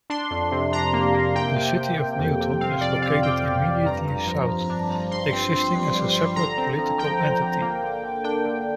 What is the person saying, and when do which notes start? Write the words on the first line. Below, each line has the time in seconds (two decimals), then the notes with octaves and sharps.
The city of Newton is located immediately south, existing as a separate political entity.
0.10 D4 C6
0.31 F2
0.52 C3
0.72 D4 A#5
0.93 A#3
1.14 A#3
1.36 C3 G5
1.56 C3
1.77 C3
1.97 C3
2.19 F2
2.40 C3
2.61 C4 F5
2.81 F2 D5
3.02 C4 F5
3.23 C4 G5
3.44 C4
3.65 F2
3.86 G2 A#5
4.07 G2
4.27 F3
4.48 F3
4.69 D4
4.90 F3
5.11 G2 C6
5.33 C4
5.53 C4
5.74 G2
5.95 G3
6.15 G3
6.36 D3 A#5
6.58 C4
6.78 F3
6.99 F3 G5
7.20 D3
7.41 D3
7.61 A#3
7.83 D3
8.03 D3
8.24 D4 G5
8.45 D3